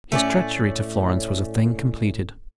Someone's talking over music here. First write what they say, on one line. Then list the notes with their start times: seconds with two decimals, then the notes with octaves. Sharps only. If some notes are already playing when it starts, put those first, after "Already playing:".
His treachery to Florence was a thing completed.
0.12 A2 A3 C#4 D5